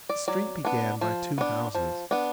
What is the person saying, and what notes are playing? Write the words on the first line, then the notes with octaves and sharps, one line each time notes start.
The street began by two houses.
D5
F#3 D5
B3 D4
F3
B3 D4
F3
B3 D4